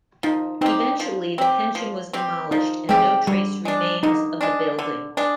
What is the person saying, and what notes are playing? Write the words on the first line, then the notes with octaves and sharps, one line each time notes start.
Eventually the Pension was demolished and no trace remains of the building.
F3 D#4
C4 D#4 G4
F3
C4 G4
F3
C4 G4
F3 D#4
G#3 C4 G4
D3 G3
G#3 D4
D3 D#4
G#3 D4
D3
G#3 D4